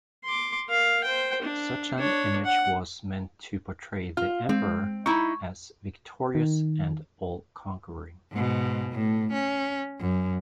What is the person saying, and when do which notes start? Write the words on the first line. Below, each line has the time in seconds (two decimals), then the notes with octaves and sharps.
Such an image was meant to portray the Emperor as victorious and all-conquering.
0.25 C6 D6
0.67 A#4 F5
1.04 C5 G5
1.42 D4
1.98 D4 C#5
2.45 F#5
4.17 F4 F5
4.49 G#3 C4
5.06 D#4 E4 C#6
6.35 D#3
8.32 G#2 B2
8.92 A2
9.33 C#4
10.00 F#2